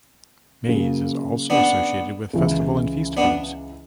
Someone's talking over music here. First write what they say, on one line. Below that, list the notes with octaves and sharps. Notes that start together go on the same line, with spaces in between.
Maize is also associated with festival and feast foods.
C#3 F#3 A#3
B3 D4
C#2 C#3 E3
B3 D4